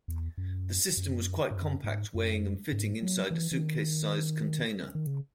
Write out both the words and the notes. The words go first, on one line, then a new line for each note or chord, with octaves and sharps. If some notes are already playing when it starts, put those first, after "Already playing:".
The system was quite compact, weighing and fitting inside a suitcase-sized container.
E2
F#2
F#2
G#2
F#2
G#2
F#2
G#2
F#3
E3
E3
D#3
D#3
C#3